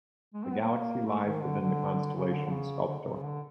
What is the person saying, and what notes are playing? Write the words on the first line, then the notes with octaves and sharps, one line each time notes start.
The galaxy lies within the constellation Sculptor.
G#3
C4
B3
A#3
A3
D#3
D3
D3
C#3
D3
D3
C#3
D3
C3
C#3
D3